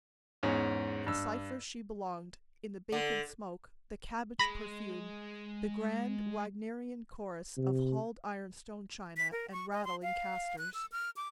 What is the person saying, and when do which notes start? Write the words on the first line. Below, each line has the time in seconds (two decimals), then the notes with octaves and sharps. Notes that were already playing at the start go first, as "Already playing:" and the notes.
In Cypher's she belonged--in the bacon smoke, the cabbage perfume, the grand, Wagnerian chorus of hurled ironstone china and rattling casters.
0.43 E2 G#2 C#4
1.07 G2 E6
2.92 D3
4.39 G#3 B5 A#6
7.57 C3
9.17 B6
9.32 A#4
9.52 C#6
9.73 D#5
9.85 C6
10.03 F5
10.58 F#6
10.74 E6
10.92 F6
11.16 D6